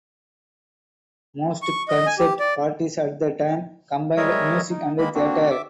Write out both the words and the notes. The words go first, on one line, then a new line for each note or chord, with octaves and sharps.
Most concert parties at the time combined music and theatre.
C#6
D#5
G#5
G4
D5
G3 G#3 A#4 C#5 D#5 E5
D#4
D#3 G#3 A#3 B5
A#3 C4 D4 F#4
E5 D6